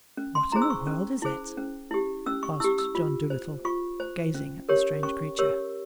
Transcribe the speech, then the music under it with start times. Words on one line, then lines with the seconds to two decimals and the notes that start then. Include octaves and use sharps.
"What in the world is it?" asked John Dolittle, gazing at the strange creature.
0.17 C#4
0.35 C6
0.52 E4 G#4 C5 A#5
0.62 E6
0.70 C#6
0.87 C#4
1.22 E4 G#4 C5
1.57 C#4
1.91 E4 G4
2.26 C#4 E6
2.43 C#6
2.60 E4 G4 E6
2.79 E6
2.95 F4
3.30 C5
3.65 F4 C#6
4.00 C5
4.35 C#4
4.69 G4 A#4 C#5
5.03 C#4 C#6
5.39 G4 A#4 C#5 E6